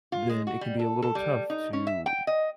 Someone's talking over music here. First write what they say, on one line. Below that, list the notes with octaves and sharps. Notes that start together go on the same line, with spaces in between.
then it can be a little tough to
F4
G#3
F#4
G3
A4
A4
G3
D#4
C#4
E5
G5
D#5